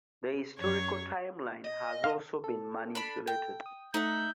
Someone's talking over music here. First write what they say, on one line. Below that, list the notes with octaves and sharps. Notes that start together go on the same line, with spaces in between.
The historical timeline has also been manipulated.
F#2 F#3 C#5
D#5
F5
A4
D4 D5 B5
G5
D#6
A3 D#4 E5 F#5 G6